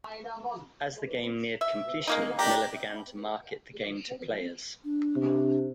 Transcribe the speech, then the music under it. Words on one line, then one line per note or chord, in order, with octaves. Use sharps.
As the game neared completion, Miller began to market the game to players.
E5
G#3 A#3 D#4
D4 G4 A#5
D4
C3